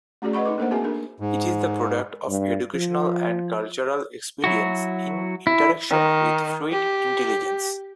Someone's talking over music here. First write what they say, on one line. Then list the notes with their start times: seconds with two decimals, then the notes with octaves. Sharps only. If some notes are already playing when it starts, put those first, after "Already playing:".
It is the product of educational and cultural experience in interaction with fluid intelligence.
0.22 A3 C#4 F#4 G#4 D5
0.33 B4 D#5 F#5 B5 C#6
0.45 D#4 A4 D6
0.58 A#3 D4 A4 A#4 C5 F#5
0.71 C4 F#4 G#4 A#4 E5 G#5
0.83 C4 D4 A4 A#4
1.20 G#2
2.28 G2
2.74 F3
4.44 F#3 E4 F#4
5.47 E4
5.90 D#3
6.72 G4